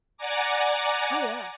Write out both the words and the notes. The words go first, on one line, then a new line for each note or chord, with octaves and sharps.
Oh, yeah.
D5 F#5 G#5 A#5 D6